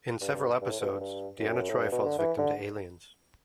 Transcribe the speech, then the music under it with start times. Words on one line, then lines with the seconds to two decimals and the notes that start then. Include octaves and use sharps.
In several episodes, Deanna Troi falls victim to aliens.
0.21 G2
0.61 G2
0.70 A2
0.80 B2
0.90 G2
1.00 G2
1.39 F#2
1.70 A2
1.78 G2
1.92 B2
2.05 D3
2.18 E3
2.38 D3